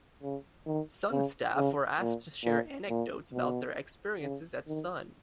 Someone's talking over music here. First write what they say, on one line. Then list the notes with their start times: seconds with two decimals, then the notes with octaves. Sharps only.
Sun's staff were asked to share anecdotes about their experiences at Sun.
0.23 C#3
0.67 D#3
1.11 C#3
1.56 C#3
2.00 A#2
2.44 A#2
2.89 A#2
3.33 B2
4.22 C#3
4.67 D#3